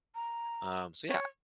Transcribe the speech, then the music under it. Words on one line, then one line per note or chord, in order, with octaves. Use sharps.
Um, so yeah.
A#5
C#5